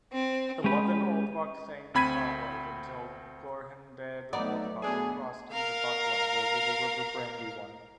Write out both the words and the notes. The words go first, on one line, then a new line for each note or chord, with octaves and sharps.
Eleven Oldbuck Thains followed, until "Gorhendad Oldbuck" crossed into Buckland over the river Brandywine.
C4
G#3 C#4 G4 B4
D2 C4 B5 G#6 B6 D#7
F#3 A3 B3 D#4 D5
B2 A3 B3 D4 G#4 G#5
A#4 F5